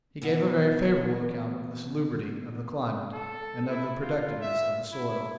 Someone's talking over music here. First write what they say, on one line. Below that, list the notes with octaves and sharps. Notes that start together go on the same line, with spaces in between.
He gave a very favourable account of the salubrity of the climate and of the productiveness of the soil.
B2 E3 B3 E4 F#5
A4
E4
F4
E5
E4